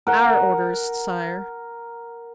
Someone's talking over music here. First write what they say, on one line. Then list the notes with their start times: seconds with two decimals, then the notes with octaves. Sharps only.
"Our orders, Sire."
0.07 A#4 F#5